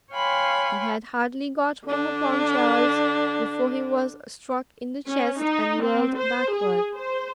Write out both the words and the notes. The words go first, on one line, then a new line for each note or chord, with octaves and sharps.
He had hardly got home upon Charles before he was struck in the chest and whirled backward.
C#5 F5 G5 G#5 B5 C6
D3 D4
C#4
D#4
C4
C5
G#4
C5